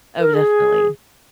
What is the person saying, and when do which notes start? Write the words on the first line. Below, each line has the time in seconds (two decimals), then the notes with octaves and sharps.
Oh, definitely.
0.19 A#4
0.34 G#4